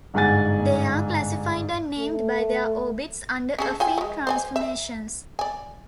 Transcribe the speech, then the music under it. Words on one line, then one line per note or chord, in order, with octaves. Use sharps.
They are classified and named by their orbits under affine transformations.
G1 G#2 F#5 G#5 A6
A3
C#4 G#4 A4
F4 G5 G#5
G#3 A3
C5 D5 G#5
E5
D5 G#5